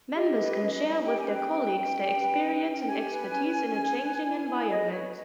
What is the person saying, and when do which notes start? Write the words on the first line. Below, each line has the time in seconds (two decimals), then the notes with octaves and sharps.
Members can share with their colleagues their experience and expertise in a changing environment.
0.14 G4 D#5
0.37 B4
0.60 C#4
0.82 C#4
1.05 G4 G5
1.19 G#5
1.27 B4 G5
1.51 C#4
1.73 C#4
1.96 G4
2.19 B4
2.42 C#4
2.64 C#4
2.79 G5
2.87 G4 G#5
3.09 B4
3.32 C#4
3.55 C#4
3.77 G#4
4.01 B4
4.23 E4
4.47 E4
4.69 G#4 D#5
4.92 B4 C#5